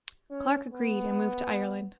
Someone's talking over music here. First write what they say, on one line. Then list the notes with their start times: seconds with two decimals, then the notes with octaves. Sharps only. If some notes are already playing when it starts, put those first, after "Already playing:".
Clarke agreed and moved to Ireland.
0.31 C#4
0.72 B3